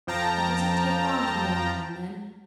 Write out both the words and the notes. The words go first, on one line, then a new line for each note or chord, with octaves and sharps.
It doesn't take long to know a man then.
F2 F3 G5 A5 A#5